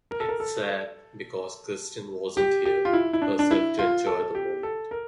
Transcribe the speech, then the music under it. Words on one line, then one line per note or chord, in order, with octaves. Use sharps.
It's sad because Kristen wasn't here herself to enjoy the moment.
A#4
A4
A#4
A4
G4
G4
F4
E4
E4
D4
D4
E4
F4
A4
G4
A4
A#4